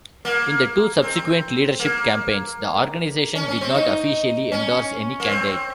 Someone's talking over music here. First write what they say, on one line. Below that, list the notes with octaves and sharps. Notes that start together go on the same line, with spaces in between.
In the two subsequent leadership campaigns the organisation did not officially endorse any candidate.
A#3
C4
A#3
C#4
C#4
C4
D#4
C#4
A#3
C4